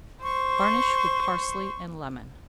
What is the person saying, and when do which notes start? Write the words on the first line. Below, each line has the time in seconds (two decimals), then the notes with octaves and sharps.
Garnish with parsley and lemon.
0.23 C5 C#6